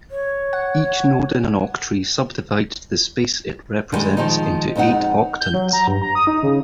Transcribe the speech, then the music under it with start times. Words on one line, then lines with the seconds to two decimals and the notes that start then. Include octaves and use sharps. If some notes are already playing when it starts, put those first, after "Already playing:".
Each node in an octree subdivides the space it represents into eight octants.
0.11 C#5
0.53 F#5
3.92 D3 D#3 G3 G#3
4.17 D#3 F3 G#3 D#4
4.76 F2 G#3 C4 D#4 F#5
5.41 G6
5.54 F#3
5.73 A#5
5.87 G2
6.02 A#5
6.15 D#6
6.27 D#4
6.43 C#3